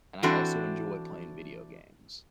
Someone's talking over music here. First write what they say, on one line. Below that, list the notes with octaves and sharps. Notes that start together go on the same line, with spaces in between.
and I also enjoy playing video games,
E3 C4 D4 F#4 A4